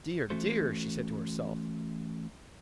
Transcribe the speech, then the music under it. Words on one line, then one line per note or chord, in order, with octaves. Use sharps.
'Dear, dear!' she said to herself.
E3 A3 C#4 F#4 A4 C5